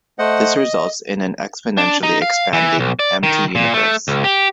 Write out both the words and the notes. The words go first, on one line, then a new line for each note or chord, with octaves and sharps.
This results in an exponentially expanding, empty universe.
A3 C5 D#5 F#5
D#5
D4
D#4
F5
E3
B1
D5
D#3
A#2
A3
C#2
G4